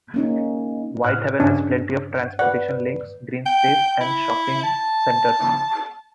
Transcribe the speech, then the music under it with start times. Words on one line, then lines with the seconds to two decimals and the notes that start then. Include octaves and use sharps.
Whitehaven has plenty of transportation links, green space and shopping centres.
0.14 A#3 C#4 D#4
1.04 A2 F6 F#6
1.40 G2 C#4 D4
2.39 B4 D5 F#5
3.46 G5
4.01 E4
4.63 A5